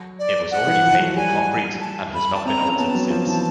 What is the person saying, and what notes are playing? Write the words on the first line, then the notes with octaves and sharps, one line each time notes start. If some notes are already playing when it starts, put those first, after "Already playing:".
It was already paved in concrete, and has not been altered since.
Already playing: F#3
D5
F#5
E3
F3
F#3
G3 G#5
A5
B5
A5
C4 A#5
C#4
B3 A5
F#3
F3
E3